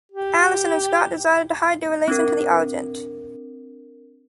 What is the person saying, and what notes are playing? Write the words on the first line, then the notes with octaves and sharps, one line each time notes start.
Allison and Scott decided to hide their relation to the Argent.
G4
C4 D4 A#4